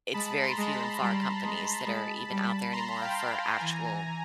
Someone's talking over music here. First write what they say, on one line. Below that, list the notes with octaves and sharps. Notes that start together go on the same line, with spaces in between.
It's very few and far companies that are even out there anymore for actual
G#3 A5 B5
A#5 C6
G#3
A5 B5
G3
G#3
G#3
G3
A#5 C6
F5 G5
E3 G#5 A#5